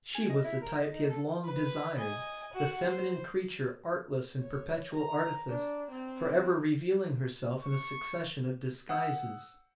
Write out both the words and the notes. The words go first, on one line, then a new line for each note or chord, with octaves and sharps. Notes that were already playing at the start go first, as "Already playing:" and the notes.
She was the type he had long desired, the feminine creature artless in perpetual artifice, for ever revealing herself in a succession of disguises.
G#5
D#5
E4
A#4
D#5
D#4
A4
B4
D#5 G#5
F#4 F#5
C5
C#5
A#5
D4
C4
C#6
F#5 D#6 E6